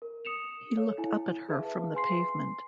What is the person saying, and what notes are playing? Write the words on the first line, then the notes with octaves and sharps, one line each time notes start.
He looked up at her from the pavement.
A#4
D#6 C#7 E7 F7
A4 C#5 F5
E4 G#5
G#4 B4 E5 F5 A5
B4 G#5 C6 C7